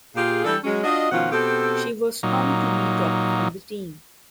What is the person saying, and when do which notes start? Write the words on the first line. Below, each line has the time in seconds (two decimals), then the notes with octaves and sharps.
She was stunned to be dropped from the team.
0.15 A#2 F4 G4 G#4
0.45 E3 G3 D4 A4
0.64 F#3 G#3 C#4
0.84 D4 F4 F#4 D#5
1.11 B2 D#3 F3 C#4 F4 F#5
1.31 B2 C4 G4 A4
2.23 A#2 F#3 D#4